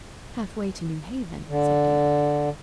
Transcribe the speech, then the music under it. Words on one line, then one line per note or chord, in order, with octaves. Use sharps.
'Half-way to Newhaven,'said Dan.
D3